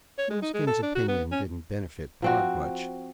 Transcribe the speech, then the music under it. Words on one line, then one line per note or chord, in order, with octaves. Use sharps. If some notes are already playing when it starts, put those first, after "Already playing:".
Coonskin's opinion didn't benefit Pod much.
C#5
G#3
D#4
G#3
A4
D4
F#4
B3
C#4
F3 C4 F#4